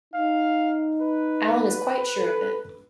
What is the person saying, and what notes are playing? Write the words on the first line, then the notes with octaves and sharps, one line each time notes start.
Allan is quite sure of it.
D#4 F5
B4
A4